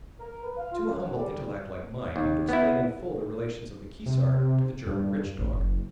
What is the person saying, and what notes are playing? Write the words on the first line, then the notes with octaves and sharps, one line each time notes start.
To a humble intellect like mine he would explain in full the relations of the Keesar to the German Rich Dog.
A#4
B4
F5
F4
F#2
G3
D#2
B3 E4
C3
G2
A1
F#1